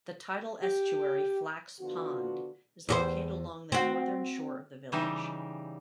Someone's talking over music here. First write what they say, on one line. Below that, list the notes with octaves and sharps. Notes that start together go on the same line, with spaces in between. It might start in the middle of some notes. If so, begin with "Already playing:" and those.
The tidal estuary Flax Pond is located along the northern shore of the village.
G4
D3 F3 B3 F4 F#4
E2 F#4 C5
C4 F#4
C#3 E3 G3 D#4 G4 E5